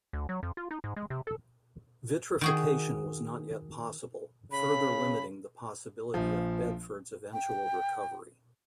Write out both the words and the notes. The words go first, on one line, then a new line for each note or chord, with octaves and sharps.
Vitrification was not yet possible, further limiting the possibility of Bedford's eventual recovery.
D2
F#3
F2
F4
D#4
G#2
G#3
C3
A4
D#3 F#4 G#4
C#3 B5
A#1 F3
G5